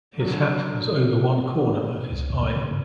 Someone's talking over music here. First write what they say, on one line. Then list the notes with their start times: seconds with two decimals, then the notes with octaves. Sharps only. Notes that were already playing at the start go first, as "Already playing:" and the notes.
His hat was over one corner of his eye.
0.15 D3 F#3
2.11 C#2
2.30 F2
2.43 A#2
2.56 C#3
2.71 G2